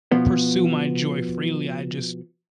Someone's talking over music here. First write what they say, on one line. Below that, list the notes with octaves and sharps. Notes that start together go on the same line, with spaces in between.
pursue my joy freely, I just
B2 F3 B3